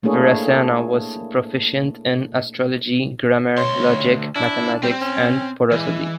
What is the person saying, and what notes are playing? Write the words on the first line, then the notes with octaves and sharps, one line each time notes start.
Virasena was proficient in astrology, grammar, logic, mathematics and prosody.
A3 A#3 D4 E4 G#4 C#5
D2 C#5 C6
D4 E4
G3 C4
C#4
E3 G#3